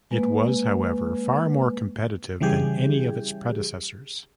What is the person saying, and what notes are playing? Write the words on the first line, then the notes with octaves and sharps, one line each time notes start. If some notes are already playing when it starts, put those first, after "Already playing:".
It was, however, far more competitive than any of its predecessors.
G#3 A#3 B4
C#3 E3 G3 G4 G#4